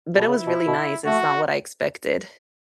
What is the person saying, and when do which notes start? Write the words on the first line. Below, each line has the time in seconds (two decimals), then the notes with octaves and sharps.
but it was really nice, it's not what I expected.
0.16 B2
0.28 C#3 E4
0.47 B2
0.67 B2
1.05 A3 F#4